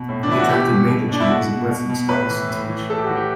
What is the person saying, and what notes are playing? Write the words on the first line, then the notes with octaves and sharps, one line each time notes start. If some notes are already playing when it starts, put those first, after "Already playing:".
He attracted major Chinese and Western scholars to teach.
Already playing: B2
A2
D4
E3 E4
F#4
B2 G4
B2
B2
B2 D4
E4
B2 F#4
B2
B2
B2
A2 B4
E3
A2
E3
A2 A4
G4
E3 F#4
G4